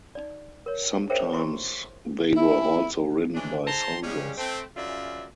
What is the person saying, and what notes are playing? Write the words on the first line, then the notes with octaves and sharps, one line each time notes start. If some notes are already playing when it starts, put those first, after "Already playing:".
Sometimes they were also ridden by soldiers.
D#4 D5
A#4 C#5
G#4 A#4 C5 C#5 E5 G5
E4 F4 C6 C#6
E4
E3 G#3 C#4 D4
G#2 C5 A5 A#5 C6
C#3 F3 G3 G#3 C#4
A3 C4
F#2 C#3 F4 D5 E5